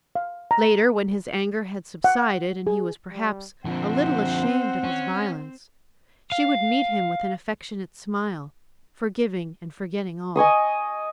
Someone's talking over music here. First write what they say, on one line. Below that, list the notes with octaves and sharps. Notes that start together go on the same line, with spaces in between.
Later, when his anger had subsided, and he was perhaps a little ashamed of his violence, she would meet him with an affectionate smile, forgiving and forgetting all.
F5
A#5
F#5
G#4
G3
D3 F3 C4 C5 F#5
C#4
F5
D#5 G#5 C#6 D#6